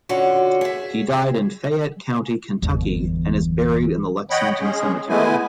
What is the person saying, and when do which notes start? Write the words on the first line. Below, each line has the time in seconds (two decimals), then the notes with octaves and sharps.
He died in Fayette County, Kentucky and is buried in the Lexington Cemetery.
0.09 D3 C#4 F4 F#4
0.61 G#4 E5
2.62 G1 E2
4.30 C#5 D#5 F#5 G5 B5
4.61 G#3 C#4 G#4
5.09 G#3 A3 B3 E4 G#5